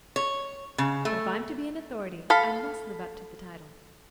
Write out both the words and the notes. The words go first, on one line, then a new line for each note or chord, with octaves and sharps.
But if I'm to be an authority, I must live up to the title.
C#5
C#3
A3
A4 F5 B5